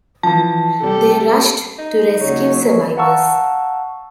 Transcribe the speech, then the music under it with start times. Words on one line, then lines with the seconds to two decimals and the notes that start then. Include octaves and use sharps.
They rushed to rescue survivors.
0.23 E3 F3 A5
0.82 C3 G3 G4 A4
1.79 D#4
2.21 D#2 C#3 F#3 C#5
2.97 F5 F#5 A5 A#5 C#6 E6